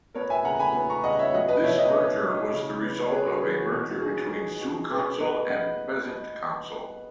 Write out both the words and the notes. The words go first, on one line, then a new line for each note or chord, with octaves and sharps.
This merger was the result of a merger between Sioux Council and Pheasant Council.
B3 A#4 C#5
E5 G#5
C#3 F#5 A#5
G#5 B5
B3
A#5 C#6
C#3 D#5 F#5
C#5 E5
F#3 D#5 F#5
B4 D#5
B2 C#5 E5
B4 D#5
C#4
F#3
C#3
B3
C#5
B3 G#4 B4
F#4 A#4
E3 G#4
F#4
B2 F#4
F#4
D#4 G#4
D#4 G#4
D#4 F#4
B2 G#4 B4
B3 B4 D#5
B3 D#5 F#5